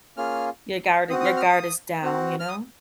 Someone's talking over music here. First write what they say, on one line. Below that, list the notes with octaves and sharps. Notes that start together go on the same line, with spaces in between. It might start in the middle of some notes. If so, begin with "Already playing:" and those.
Your guarded Your guard is down, you know?
A#3 C#4 F4 G#4 F6
C4 F#4 D#6
D#6
F6
F6
D#6
C4 F#4
F6
D#6